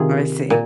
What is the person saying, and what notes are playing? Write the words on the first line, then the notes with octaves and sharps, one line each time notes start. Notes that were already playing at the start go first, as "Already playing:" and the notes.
I see.
Already playing: C3 D#3 F4 G#4
A#2